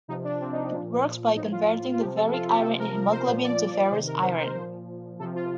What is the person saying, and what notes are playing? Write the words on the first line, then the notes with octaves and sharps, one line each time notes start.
It works by converting the ferric iron in hemoglobin to ferrous iron.
C3 F3 D#4
D4
C4
D#4
D4
A#2 F3
A2 F3 D#4
F4
F4
C3 F3 G4
A4
F4
G4
C3 F3 A4
A#4
A#4
C5
A#2 F3 C5
D5
C3 D#3 C5
A#4
C5
C5
A#2 F3
C3 F3 A4
F4